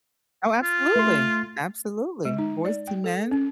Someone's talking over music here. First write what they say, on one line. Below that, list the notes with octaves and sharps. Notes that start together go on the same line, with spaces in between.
Oh, absolutely, absolutely, Boyz II Men.
F4
A3 C6
G#3
D#4
D5
G5
A4
C#4